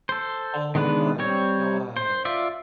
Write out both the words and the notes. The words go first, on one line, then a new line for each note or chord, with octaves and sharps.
Oh my god!
A4 C5
D#3 G#3 B3 D4 B4
G3 C4 C#5
C5
F4 D5 E5